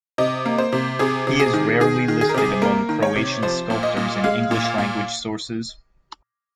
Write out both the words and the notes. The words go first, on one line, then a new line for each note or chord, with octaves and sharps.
He is rarely listed among Croatian sculptors in English-language sources.
C3 D#5
A#3
C5
C3
C3 G#4
C3
G#4
D#3
D#3 G#4
D#3
G#4
A#4
C3 G#4
A#3 A#4
D#3
C#5
C3
F3 C5
A#2
D#5
A#2
G#3 F5
A#2
F5
A#2